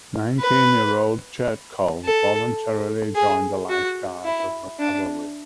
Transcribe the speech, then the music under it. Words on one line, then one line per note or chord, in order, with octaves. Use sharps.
Nineteen-year-old Chertkov voluntarily joined the Life Guards of the Cavalry.
B4
A4
G#4
F#4
E4
D4